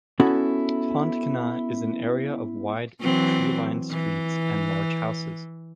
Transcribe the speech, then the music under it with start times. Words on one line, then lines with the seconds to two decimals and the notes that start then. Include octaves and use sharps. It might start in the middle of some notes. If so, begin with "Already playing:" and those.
Pontcanna is an area of wide tree-lined streets and large houses.
0.20 B3 C#4 E4 F#4 A4
3.01 E3 F#3 C4
3.91 E3